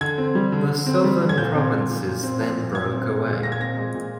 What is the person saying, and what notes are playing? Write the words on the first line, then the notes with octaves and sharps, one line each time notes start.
The southern provinces then broke away.
D3 G#6
C4
G3
D3
D3
C4
G3
D3
G#6
A#2 G6
C4
F3
A#2
A#2
C4
F3
A#2
A#2 G#6
C4
G#3
A#2
A#2 A#6
G#6
C4 A#6
G#3
A#2